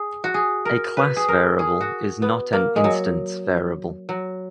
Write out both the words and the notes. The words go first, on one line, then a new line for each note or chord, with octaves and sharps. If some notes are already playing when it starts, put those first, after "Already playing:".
A class variable is not an instance variable.
Already playing: G#4
F#4
G#4
A#4
B4
G#4
A#4
G#4
F#4
B3
A#3
G#3
F#3
F#3